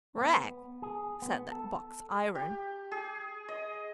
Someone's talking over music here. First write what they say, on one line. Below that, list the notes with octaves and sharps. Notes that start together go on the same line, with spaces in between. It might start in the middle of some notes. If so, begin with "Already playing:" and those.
"Rag!" said the box-iron.
B3
G#4
B3
A4
G4
G#4
D#5